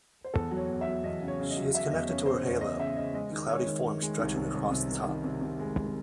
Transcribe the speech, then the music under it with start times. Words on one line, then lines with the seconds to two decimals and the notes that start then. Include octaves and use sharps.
She is connected to her halo, a cloudy form stretching across the top.
0.24 C5
0.34 E2 A4
0.51 F#3
0.57 C#5
0.69 E2
0.81 E5
0.87 F#3
1.04 E2 D#5
1.22 C#3
1.28 C#5
1.40 C#3
1.50 D#5
1.57 F#3
1.74 C#3 E5
1.91 E2 D#5
2.09 C#3 C#5
2.26 C#3 C5
2.43 E2 C#5
2.61 E2 D#5
2.78 C#3 E5
2.97 C#3 D#5
3.13 G#3 D#5
3.32 D#3
3.49 G#3 C#5
3.66 D#3
3.84 D#3
4.02 G#3
4.19 C2 D#4
4.36 C3
4.54 C2
4.71 C3
4.89 D#3
5.07 D#3
5.24 C3
5.41 C3
5.59 G#3
5.77 G#3